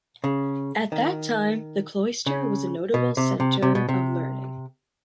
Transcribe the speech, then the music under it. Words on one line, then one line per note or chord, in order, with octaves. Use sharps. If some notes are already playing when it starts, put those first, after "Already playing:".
At that time, the cloister was a notable centre of learning.
C#3
D#3
C#3
B2
C3
C3
C3
B2
C3